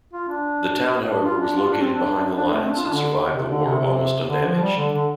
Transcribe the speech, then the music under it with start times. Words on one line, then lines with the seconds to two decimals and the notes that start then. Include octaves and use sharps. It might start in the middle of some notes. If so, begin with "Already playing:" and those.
The town however was located behind the lines and survived the war almost undamaged.
0.13 F4
0.28 D4
1.09 D4
1.25 F4
1.42 D4
1.57 F4
1.69 D4
1.82 C4
1.94 D4
2.37 D4
2.53 A3
2.62 C4
2.69 D4
2.77 F4
2.86 D4
2.93 D3
3.33 C3
3.49 D3
3.66 C3
3.81 C3
4.29 D3
4.45 F3
4.61 G3
4.77 D3
4.93 D3